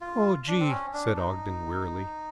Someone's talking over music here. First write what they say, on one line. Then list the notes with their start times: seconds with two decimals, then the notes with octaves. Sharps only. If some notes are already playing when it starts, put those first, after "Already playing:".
"Oh, Gee," said Ogden wearily.
0.01 F4
0.47 D4
0.60 C4
0.70 C#4
0.93 D4
1.16 D#4